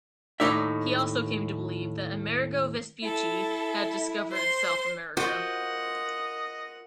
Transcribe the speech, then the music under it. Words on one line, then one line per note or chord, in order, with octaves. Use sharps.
He also came to believe that Amerigo Vespucci had discovered South America.
D#2 A2 D3 D#4 D5 E5
E4 A4
C5 C6
F4 F#4 A#4 C5 D#5 F#5